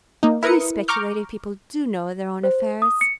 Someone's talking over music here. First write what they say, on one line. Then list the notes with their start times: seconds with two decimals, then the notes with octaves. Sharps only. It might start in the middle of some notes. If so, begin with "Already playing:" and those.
Few speculative people do know their own affairs.
0.23 A#3 D#4
0.43 E4 A#4 B4 D#6 C#7
0.88 A#5 C#6 D6 F6 G6
2.43 C5
2.82 D#6
3.01 C#7